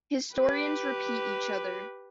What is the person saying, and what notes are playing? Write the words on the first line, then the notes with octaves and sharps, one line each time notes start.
Historians repeat each other.
G4 B4